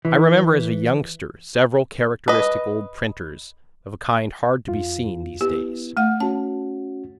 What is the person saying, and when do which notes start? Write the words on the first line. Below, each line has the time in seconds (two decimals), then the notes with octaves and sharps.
I remember, as a youngster, several characteristic old printers of a kind hard to be seen these days.
0.05 E3
2.28 B4 D#5
4.68 F2 F4
5.41 B3 E4 G4
5.97 A3 F#5
6.20 C#4 F#4 A5